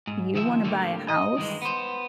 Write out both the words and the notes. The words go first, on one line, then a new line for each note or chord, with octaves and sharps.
you wanna buy a house,
G#2
D#3 F3 E5
A2 D3 G3 A3 A#3
D#5
G2 D#3 E3 G#3
B3 C5